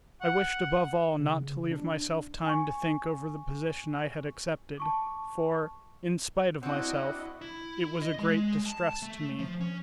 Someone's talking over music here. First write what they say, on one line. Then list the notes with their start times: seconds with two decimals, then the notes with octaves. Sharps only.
I wished above all not to leave myself time to think over the position I had accepted, for, in spite of myself, it was a great distress to me.
0.22 F#5
1.20 C#3
1.72 D4
2.46 G#5 C#6
4.78 A5 C#6 D6
6.63 C4 D4 E4 F#4 D#5 F#5
7.41 E4
8.02 D#5
8.18 G#3
8.66 A5
9.02 A3
9.39 F3
9.61 C#4